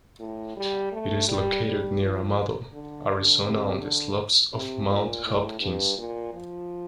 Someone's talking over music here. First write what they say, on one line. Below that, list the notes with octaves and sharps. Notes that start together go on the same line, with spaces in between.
It is located near Amado, Arizona on the slopes of Mount Hopkins.
A2
G3
A3
G3
G3
F3
D3
D3
C3
D3
C3
A#2
A2
G2
A#2
F3